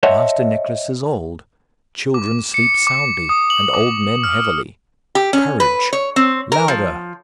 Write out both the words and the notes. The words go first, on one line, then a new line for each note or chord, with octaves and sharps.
"Master Nicless is old, children sleep soundly, and old men heavily. Courage! louder!"
C5 C#5 D#5 E5 F#5 A5
D6
C#7
D6
D#6
F#7
D6
F6
G4
C#4
B4
C#5
C4
A#4
F3